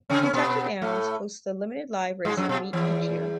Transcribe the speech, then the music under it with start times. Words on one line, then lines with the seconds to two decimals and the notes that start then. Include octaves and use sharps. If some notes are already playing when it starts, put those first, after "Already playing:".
Kentucky Downs hosts a limited live racing meet each year.
0.10 C#3 C#4
0.23 C#4
0.33 B2 B3
0.82 A2 A3
2.25 G#2 G#3
2.37 F#2 F#3
2.49 B2
2.73 E2 E3